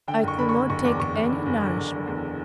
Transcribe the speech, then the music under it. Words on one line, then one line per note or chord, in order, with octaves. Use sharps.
I could not take any nourishment.
D3 G5
F#1 C#6
D3 B5
C#6
D3
F#1 C#6
E2 D6
F#1 C#6
E2
D3
F#1
D3
F#1
D3
E2